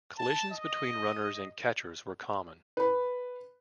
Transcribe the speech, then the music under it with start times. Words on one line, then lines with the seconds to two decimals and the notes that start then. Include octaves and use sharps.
Collisions between runners and catchers were common.
0.18 A5
0.51 D#5
2.77 B4 B5